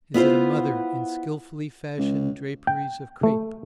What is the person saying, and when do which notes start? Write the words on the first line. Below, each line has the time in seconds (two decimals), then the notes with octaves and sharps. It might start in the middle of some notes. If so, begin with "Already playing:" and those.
Is it a mother in skilfully fashioned draperies of crape?
0.14 B3 E4 F4 C5
1.99 C#2
2.67 G5
3.23 A3